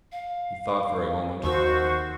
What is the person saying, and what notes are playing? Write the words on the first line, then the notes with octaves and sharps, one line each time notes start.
He thought for a moment.
F5
D#2 D#3 F#4 C5 C#6 E6